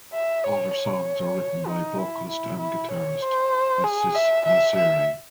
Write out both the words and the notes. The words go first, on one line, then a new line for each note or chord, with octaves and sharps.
All their songs are written by vocalist and guitarist, Asis Nasseri.
E5
C#5
C#5
D#4
E4
E4
E4
C#5
C5
G#4
E5
E5
E5